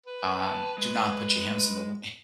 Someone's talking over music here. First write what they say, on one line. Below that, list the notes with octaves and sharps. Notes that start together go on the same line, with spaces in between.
Um, do not put your hands in the wa
B4
G5 A5
G#3 B4